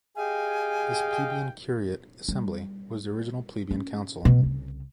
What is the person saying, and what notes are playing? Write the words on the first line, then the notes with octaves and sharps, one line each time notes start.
This "Plebeian Curiate Assembly" was the original Plebeian Council.
G4 G#4 D#5 F5 G5 G#5
G3
C#4
B2
C2 C#3